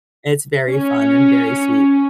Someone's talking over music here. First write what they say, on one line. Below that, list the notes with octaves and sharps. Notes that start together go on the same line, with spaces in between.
It's very fun and very sweet.
C#4